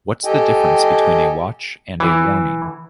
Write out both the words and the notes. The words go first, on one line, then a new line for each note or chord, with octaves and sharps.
What's the difference between a watch and a warning?
G4 A4 D#5 G5 G#5
E3